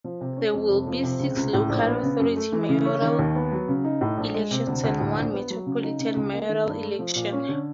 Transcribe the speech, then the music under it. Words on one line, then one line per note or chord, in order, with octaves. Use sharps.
There will be six local authority mayoral elections and one metropolitan mayoral election.
F3
C3
C#4
F2
F1
F3
C3
C#2
C#2
A2
A#1
B3
C#3
F#2
A3
E3
C#3
C#4
D#3
D#2
B3
F#3
C#3
D#4
A2
A#1
G#3
C3
D2
D2
A2
A#1
B3
F#3
C#3
D#4
C#3
C#2
A#3
D#3
G2
A3
F3
A#2
C#4
D3